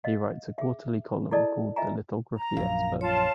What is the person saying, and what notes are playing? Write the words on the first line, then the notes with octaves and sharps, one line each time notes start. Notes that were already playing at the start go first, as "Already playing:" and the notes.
He writes a quarterly column called the Lithography Expert.
D#5 F5
G#4 E5
E4 G#4 A4 D5 D#5 A5
F4 D#5 E5 G#5 A#5
A#5
A#1 F#2 F5
F4 C#5 A5